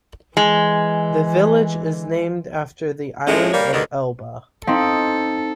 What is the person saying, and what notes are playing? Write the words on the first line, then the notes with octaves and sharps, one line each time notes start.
The village is named after the island of Elba.
E3 G#3
A2 F3 G#3 A3 C4 C#4
G3 A#3 C#5
D2 G2 D3 D#3 A#4 B4
C4 D#4 A4 F5 C6